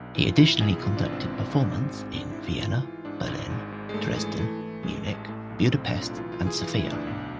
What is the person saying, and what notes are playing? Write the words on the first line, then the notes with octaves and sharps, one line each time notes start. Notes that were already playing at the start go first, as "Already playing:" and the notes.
He additionally conducted performance in Vienna, Berlin, Dresden, Munich, Budapest and Sofia.
Already playing: B1 D4
E3
F4
B1 E4
B1 G#4
E3 F4
D4
G#1
C4
G#1
G#2
D4
G#1 C4
G#2
G#1 D4
E4
G#2
F4
E3 F4
E3
G#2 D4
G#1
G#2
G#2
G#3
G#1 A3
E3 G#3
E3 A3
E3
A1 G#3
A1
A2 A3
B1
B1 C4
D4
B1
F4
E3 F4
F4
E3
G#4
E3 F4
E4
D2
D4
B1